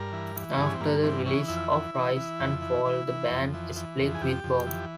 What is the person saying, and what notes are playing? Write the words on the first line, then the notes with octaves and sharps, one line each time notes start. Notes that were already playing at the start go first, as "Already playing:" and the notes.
After the release of "Rise and Fall" the band split with Bomp!
Already playing: G2 A#4
E3
E3
G2 G#4
C#4
C4
G2 A#3
E3 C4
E3 C#4
F2 E4
E3
E3
E3
F2
E3
E3
E3
F2
E3
E3
F2
G#4
F2 G4
F2
E3